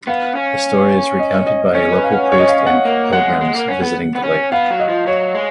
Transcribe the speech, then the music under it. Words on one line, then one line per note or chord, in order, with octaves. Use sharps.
The story is recounted by a local priest and pilgrims visiting the lake.
B3 F5
C#4
D#5
D#5
C#4 C#5
B4
F5
F#5
C#5
D#5
F5
F#5
A#3
G#3 F#5
G#3
A#3
C#4
B3
B3
C#4
B3 F5
F#3
D#5
F3
F#3 C#5
G#3